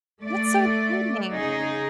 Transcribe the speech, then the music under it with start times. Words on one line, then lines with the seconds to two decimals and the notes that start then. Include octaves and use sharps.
That's so exciting. I
0.23 A3 D5
1.32 C#3 D#4 G#4